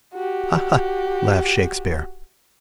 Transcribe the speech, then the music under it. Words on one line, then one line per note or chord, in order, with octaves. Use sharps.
"Ha-ha!" laughed Shakespeare.
F#4 G4